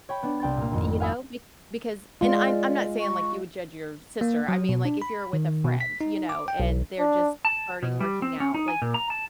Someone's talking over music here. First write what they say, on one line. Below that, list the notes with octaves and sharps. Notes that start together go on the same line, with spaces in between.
eh, you know? Be because and I'm I'm not saying, like, you would judge your sister, I mean, like, if you're with a friend, you know, and they're just starting working out, like,
C#5 G5 B5
B3 D4
C2 G5 C6 A6
A#2 A#3
G#1 F2
F5 F#5 G#5 B5 D#6 E6
G#3 F4 D5
C#6
A#3
F#3
B2
D4
B5
D#3
B2
B6
D#4
D6
G5
B1
D4
A5
B2
G3
C4
C#4
D#4
G#5
A#2
A#5
A5